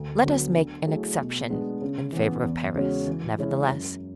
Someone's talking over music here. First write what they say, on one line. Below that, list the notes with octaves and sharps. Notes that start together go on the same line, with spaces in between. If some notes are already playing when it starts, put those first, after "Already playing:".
Let us make an exception in favor of Paris, nevertheless.
Already playing: D2
D3 F#3 B3
D3
F#3 A3 E4 G#4
B2
G#3 B3 D4
C#3
E3 B3
E2
C#3 G#3 C#4 F#4
E3
G#3 C#4 E4
F#2